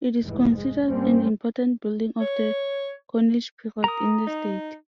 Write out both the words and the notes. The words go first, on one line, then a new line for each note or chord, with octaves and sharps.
It is considered an important building of the Cornish period in the state.
F1 G#2 E3
G#3
G2 G3 A#3 C4 C#4
C#5
A#4 A#5 D#6
D#4